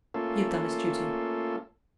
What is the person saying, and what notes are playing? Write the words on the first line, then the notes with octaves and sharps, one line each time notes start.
He had done his duty.
A3 A#3 C#4 F4 A4